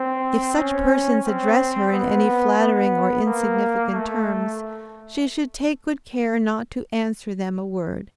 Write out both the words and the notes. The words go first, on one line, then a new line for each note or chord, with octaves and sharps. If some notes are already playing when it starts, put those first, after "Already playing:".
If such persons address her in any flattering or insignificant terms, she should take good care not to answer them a word.
Already playing: C4
C#4
C4
B3
B3
A#3
A3